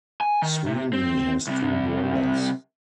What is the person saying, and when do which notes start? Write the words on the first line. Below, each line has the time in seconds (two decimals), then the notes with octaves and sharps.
Sweeney has two brothers.
0.21 G#5
0.42 D#3
0.66 C3
0.93 C4
1.47 C2 C3